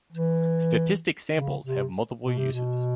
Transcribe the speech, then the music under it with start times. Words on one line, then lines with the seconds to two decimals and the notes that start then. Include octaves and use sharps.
Statistic samples have multiple uses.
0.13 E3
1.34 C#3
1.65 C3
2.25 B2
2.38 C3
2.52 B2